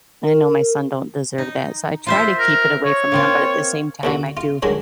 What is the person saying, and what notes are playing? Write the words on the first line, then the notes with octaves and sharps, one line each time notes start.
I know my son don't deserve that. So I try to keep it away from him, but at the same time, I do
A#4
D#4
F4 C5 E5
A#4
C#5
A#3 C4 F4
D#2 D3 F#4
F4
D#3 F#3 G#3 D4